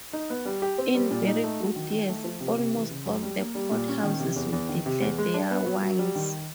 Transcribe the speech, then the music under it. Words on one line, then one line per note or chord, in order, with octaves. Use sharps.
In very good years, almost all the port houses will Declare their wines.
D#4
B3
G3
G4
C4
G3
A#2
D#4
A3
F#3
D#3
D#3
A3
F3
C3
C3
E3
C#3
F#2
G3
A#3
G3
A#2
C#4
D#3
C3
E2
E2
D#3
C3
E2
G#3
D4
B3
F#3
F#3
G3
D#3